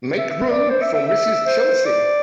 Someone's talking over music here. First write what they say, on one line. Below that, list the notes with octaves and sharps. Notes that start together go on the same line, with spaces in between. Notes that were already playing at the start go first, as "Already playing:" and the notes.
Make room for Mrs. Chelsea.
E5
E5
D5
C5
E5
E5
E5
C5
D5